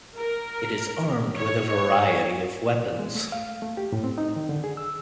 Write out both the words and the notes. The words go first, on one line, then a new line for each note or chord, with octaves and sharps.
It is armed with a variety of weapons.
A#4
C#5
G#3
A3
F5
A3
G4
A2
C4
D#4
D#3
D3
G#4
E6